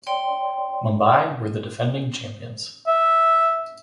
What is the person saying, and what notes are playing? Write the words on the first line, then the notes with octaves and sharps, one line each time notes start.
Mumbai were the defending champions.
C#5 D5 G5 C6
E5